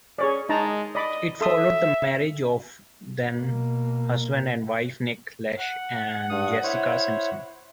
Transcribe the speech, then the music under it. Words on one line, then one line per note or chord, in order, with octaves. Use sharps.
It followed the marriage of then husband and wife Nick Lachey and Jessica Simpson.
C#4 G#4 C#5 D5
G#3 D#4 A5 A#5
D5 D#5 B5 D6
A4 E5 C6 D#6
B2 A#3
F#5
G2 D#6
E4 C5 C#5